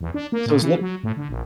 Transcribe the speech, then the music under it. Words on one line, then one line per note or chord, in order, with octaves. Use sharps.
So, it was lit
E2
D4
A#3
A#2
E3
F#3
A2
D3
A#1